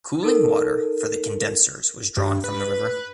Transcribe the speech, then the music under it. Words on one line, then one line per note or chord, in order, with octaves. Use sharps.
Cooling water for the condensers was drawn from the river.
D#4 A4 A#4
G2
B4